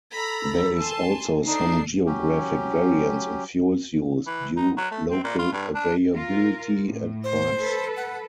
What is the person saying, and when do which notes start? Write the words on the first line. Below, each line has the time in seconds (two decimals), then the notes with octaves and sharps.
There is also some geographic variance in fuels used, due local availability and price.
0.12 A4 A#5 B5
0.79 G#5 A5 C6
1.44 A3 D4 D#4 C7
2.06 F#3 C#4 G4
4.26 E3
4.56 D#4
4.77 F#3
4.91 A3
5.10 C4
5.24 A#2
5.38 F4
5.52 G2
5.75 D4
6.16 F4 A#4
6.87 A2
7.24 C5
7.58 A4 B4
7.97 F#5